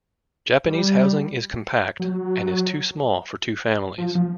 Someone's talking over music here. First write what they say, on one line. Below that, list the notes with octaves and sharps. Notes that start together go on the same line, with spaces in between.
Japanese housing is compact, and is too small for two families.
G3
F#3
F3
F3